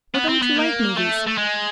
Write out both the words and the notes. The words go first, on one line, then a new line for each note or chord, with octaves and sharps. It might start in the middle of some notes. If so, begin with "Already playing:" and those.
Or don't you like movies?
B3
C4
B3
A#3
A3
A3
G#3